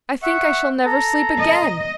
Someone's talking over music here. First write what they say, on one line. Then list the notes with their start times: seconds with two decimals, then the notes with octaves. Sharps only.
I think I shall never sleep again.
0.23 E5 F#5 C#6
0.86 A4 A#5
1.38 D#5